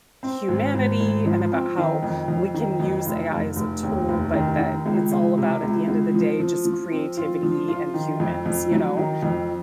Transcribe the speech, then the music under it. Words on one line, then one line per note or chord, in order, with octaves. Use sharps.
humanity and about how we can use AI as a tool, but that it's all about, at the end of the day, just creativity and humans, you know,
C4
G#1
G#1
G#1
F3
C4
D#3
F2
F2
D#3
F2
F1
F1
F1
D#2
F1
D#3
D#3
C#2
C#2
C3
C#2
C#2
F3
F3
F3
C4
F4
F3
F4
D#3
F2
F2
F#3
D#3
F2